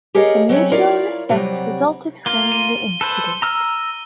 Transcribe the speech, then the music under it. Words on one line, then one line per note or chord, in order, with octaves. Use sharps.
A mutual respect resulted from the incident.
G4 G#4 A#4 C#5 D#5 F5
F#3 C4 C#4 C#5
E4 F4 A#4 C#5 D5 F5
C3 F#3 G3
A#3 F4 G7
D#7
A4 B4 C5
A#5 E6 F6